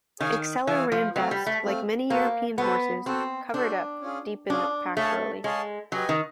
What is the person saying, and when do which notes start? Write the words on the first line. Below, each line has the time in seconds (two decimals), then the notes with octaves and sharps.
Exceller ran best, like many European horses, "covered up"-deep in the pack early.
0.20 D#3 G#4 C#5 F5 G#5
0.67 E3 G#4 C#5 F5 G#5
0.92 F3
1.15 F#3 A3 C4 F4
1.31 G3
1.47 A3
1.64 A3 C4 F4
2.10 A#3 F#4 A4 C5
2.58 B3 F#4 A4 C5
3.06 C4 F#4 A4 C5
3.54 D4 F#4 A4 C5
4.01 C#4 F4 G#4
4.49 C#4 D4 F4 G#4
4.97 A3 G#4 C#5 F5 A5
5.44 G#3 G#4 C#5 F5 A5
5.92 F#3 G4 B4 D#5 G#5
6.09 D#3